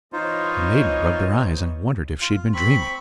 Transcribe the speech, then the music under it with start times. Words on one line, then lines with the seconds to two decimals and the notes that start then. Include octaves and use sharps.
The maiden rubbed her eyes and wondered if she had been dreaming.
0.13 E3 D#4 F4 C5 C#5 D#5
2.21 F4
2.54 C4 B5 C#6